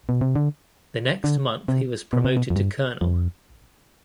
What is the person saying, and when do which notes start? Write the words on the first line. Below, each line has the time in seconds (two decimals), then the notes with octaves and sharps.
The next month he was promoted to Colonel.
0.09 B2
0.21 C3
0.36 D3
1.24 D3
1.68 C3
2.13 B2
2.25 C3
2.37 B2
2.50 F2
2.56 G2
3.01 F2